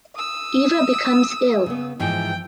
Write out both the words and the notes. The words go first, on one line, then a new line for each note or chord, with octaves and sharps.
Eva becomes ill.
D#6 E6
C#3 B3
G#2 E3 F3 G5